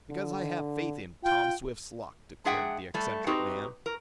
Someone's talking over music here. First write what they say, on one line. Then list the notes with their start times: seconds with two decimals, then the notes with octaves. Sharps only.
"Because I have faith in Tom Swift's luck!" declared the eccentric man.
0.10 D3
1.24 F4 G5
2.45 G#3 D4 G#4 E5 F#5 G5
2.94 G3 A3 A4
3.27 C4 D#4 F#4 G4 B4
3.86 A#4